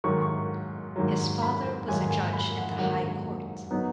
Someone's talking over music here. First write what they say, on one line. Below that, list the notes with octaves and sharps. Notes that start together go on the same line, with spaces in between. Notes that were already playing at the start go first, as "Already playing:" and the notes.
His father was a judge in the High Court.
G#2 D#3 F#3 C#6
C#6
G#2 D#3 F#3
B5
G#2 D#3 F#3 G#5
G#5
B5
F#5
G#2 D#3 F#3 F#5
F#3 B3 D#4